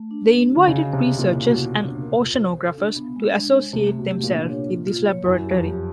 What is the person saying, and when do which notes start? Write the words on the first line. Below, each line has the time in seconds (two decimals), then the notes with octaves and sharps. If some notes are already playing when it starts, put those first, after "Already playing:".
They invited researchers and oceanographers to associate themselves with this laboratory.
Already playing: A3
0.11 D4
0.29 A3
0.49 F#4
0.57 D3
0.67 C#3 D#5
0.87 D#5
0.93 C3
1.06 D#5
1.19 A#2
1.25 E4
1.44 B2 A#3
1.63 A#3
1.82 D4
2.01 A#4
2.20 F4
2.40 C5
2.58 A4
2.78 D4
2.97 B3
3.16 G#3
3.34 D4
3.54 G#3
3.73 C3 A3
3.92 A3
3.99 B2
4.11 G4
4.23 A#2
4.30 D4
4.49 C#5
4.69 F4
4.87 F4
5.07 C#5
5.25 F#2 E4
5.45 G4
5.51 F2
5.63 G4